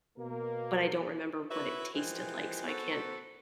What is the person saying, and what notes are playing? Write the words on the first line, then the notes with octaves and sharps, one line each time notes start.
but I don't remember what it tasted like, so I can't
B2 A#3 A#4
E4 F#4 B4 C#5 E5
E3 F3 G#3 G4 A#4
B3 F#4 A4 C5